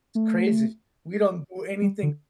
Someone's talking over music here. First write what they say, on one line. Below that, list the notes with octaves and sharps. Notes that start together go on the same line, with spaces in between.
It's crazy. We don't do anything
A3
G3
D3